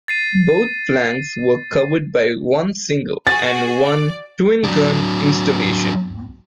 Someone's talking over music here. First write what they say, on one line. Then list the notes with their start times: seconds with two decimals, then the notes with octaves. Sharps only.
Both flanks were covered by one single and one twin gun installation.
0.08 A6 C7 D#7
3.27 F#4 G#4 A6
3.83 D5
4.64 F#3 D4